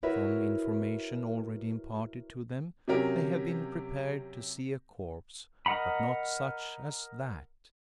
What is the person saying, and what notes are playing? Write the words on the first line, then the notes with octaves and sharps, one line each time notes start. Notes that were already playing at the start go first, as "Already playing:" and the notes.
From information already imparted to them they have been prepared to see a corpse, but not such as that!
E4 F#4 A#4 B4 C#5 E5
C3 F#3 C#4 G4 A#4
A#4 D#5 F#5 A#5 B5